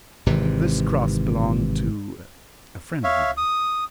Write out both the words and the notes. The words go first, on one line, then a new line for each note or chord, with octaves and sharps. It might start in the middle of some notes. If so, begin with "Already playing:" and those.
This cross belonged to a friend of mine.
G#1 C3 E3
C#5 E5 F5
D#6